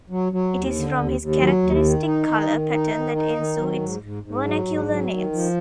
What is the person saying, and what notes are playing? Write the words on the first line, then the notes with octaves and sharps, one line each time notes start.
It is from this characteristic color pattern that ensue its vernacular names.
F#3
F#3
D#2
D3
D#2
D#2
F#3
D#2
D#3
D#4
D#3
D#3
D#4
D#3
D#4
D#3
F#3
G#2
G#2
G#2
F#3
G#2
F#3
D#3
F3